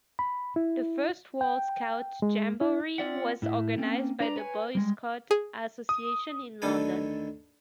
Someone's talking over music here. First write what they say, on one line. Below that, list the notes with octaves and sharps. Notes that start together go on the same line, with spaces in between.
The first World Scout Jamboree was organized by The Boy Scout Association in London.
B5
E4
G5
G#3
E4
C4 F4 D5 E5 F#5
A2 E4
A#3 C4 C#4
D4 B4 D5 A#5
B4 C#5 G#5
G3 G#3
G#4
D#6
D2 D3 D#3 A4 B4 G#5